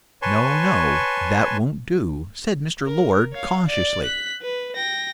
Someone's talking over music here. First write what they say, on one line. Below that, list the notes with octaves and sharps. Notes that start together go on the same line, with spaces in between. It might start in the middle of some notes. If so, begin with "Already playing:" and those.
"No, no, that won't do," said Mr. Lord, cautiously.
B4 C#5 G#5 A5 C6 C#6
A#4
C#5 F5
D5
F#6 B6
B4
G5 A#6